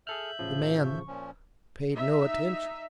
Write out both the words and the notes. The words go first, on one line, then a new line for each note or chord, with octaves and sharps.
The man paid no attention.
G#4 A4 E5 F6 G6 F#7
A1 C#3 F3
C#6
A#2 F3 C#4
D#4 E5